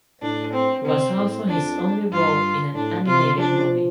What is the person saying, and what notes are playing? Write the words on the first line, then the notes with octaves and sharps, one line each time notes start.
It was also his only role in an animated movie.
A2 D4
C4
C3 C4
A2
F2 D4
G2 F4
A2 D4
C3 F4
F3 D4